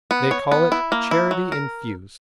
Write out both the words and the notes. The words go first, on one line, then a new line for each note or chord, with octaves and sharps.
They call it "charity infused."
B3
C#5
B3
E4
A#3
E4
F#3
A#4